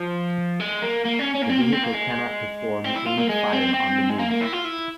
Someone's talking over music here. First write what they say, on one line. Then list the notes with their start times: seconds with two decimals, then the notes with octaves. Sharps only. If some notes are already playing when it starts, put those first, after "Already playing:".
The vehicle cannot perform aimed fire on the move.
Already playing: F3
0.60 G#3
0.83 A#3
1.05 A#3
1.20 C#4
1.35 C#4
1.42 A#3
1.50 C4
1.61 A#3
1.73 C4
1.84 A#3
1.94 G#3
2.84 C4
2.96 E4
3.06 F4
3.18 A#3
3.29 G#3
3.52 C4
3.74 C4
4.10 G#3
4.19 A#3
4.31 A#3
4.41 E4
4.53 F4
4.64 E4